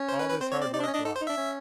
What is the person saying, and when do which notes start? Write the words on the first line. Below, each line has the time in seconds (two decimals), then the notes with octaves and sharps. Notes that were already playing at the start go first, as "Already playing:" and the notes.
All this hard work lost!
Already playing: C#4
0.09 C5
0.19 B4
0.30 B4
0.41 C4 C5
0.52 C#5
0.62 D5
0.73 D#4 D5
0.80 D4
0.84 D#5
0.87 C#4
0.94 D4 D#5
1.05 D#4 A4
1.16 C5
1.21 D#4
1.27 D4 E5
1.37 C#4